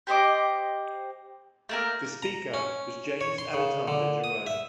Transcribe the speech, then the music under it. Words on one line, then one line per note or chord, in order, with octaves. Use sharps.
The Speaker was James Alexander Jerome.
G4 C5 D#5 D6
A3 A#3 A#4
A#5
C#4
C#5
C6
C#3
D3
D#6
E5